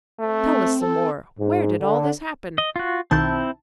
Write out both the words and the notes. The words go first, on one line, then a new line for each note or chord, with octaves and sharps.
"Tell us some more. Where did all this happen?"
A3 C4
A4
G#2
D3
D#5
F4 F#4
B1 D#3 C4 E4 A5 G6